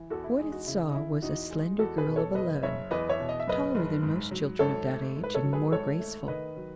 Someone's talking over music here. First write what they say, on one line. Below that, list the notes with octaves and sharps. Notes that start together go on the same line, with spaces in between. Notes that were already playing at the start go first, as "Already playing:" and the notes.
What it saw was a slender girl of eleven, taller than most children of that age, and more graceful.
Already playing: E3
E2 F#4 A4
E4
G#3 G#4
D#4 F#4
C#3 E4
D#4
E3 E4
E2 D#4 F#4
G#3
E2 F#4 A4
G#4 B4
B2
A4 C#5
F#1 B4 D#5
F#1 C#5 E5
E2 B4 D#5
C#5 E5
B2
D#5
E5
F#1 B4 D#5
F#1
G#2
F#3
G#1 A4 C#5
A3
G#2
B4
A4 C#5
F#3
G#4 B4
G#1 A4 C#5
A3
D#3 B4 D#5
F#3